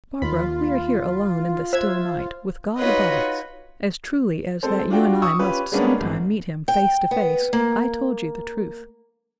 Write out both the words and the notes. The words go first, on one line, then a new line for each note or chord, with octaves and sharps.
Barbara, we are here alone in the still night, with God above us; as truly as that you and I must sometime meet Him face to face, I told you the truth.
D#2 F4 B5
C5 E5 E6 G#6
D#4 F4 F#4 B4 C#5 D#5
G#3 C4 A4 C5
D4 F4 F#4 G5
C#6 D#6 E6
C#4 F4 G4 B4
G3 G#3 A#3 B3 C#4 D4
G#1
G5
B3
A#3